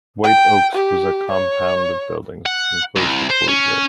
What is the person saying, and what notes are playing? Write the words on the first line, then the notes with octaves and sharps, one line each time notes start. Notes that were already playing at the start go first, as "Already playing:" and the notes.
White Oaks was a compound of buildings which enclosed a courtyard.
G5
G4
C#5
F#5
C2
C5
C#4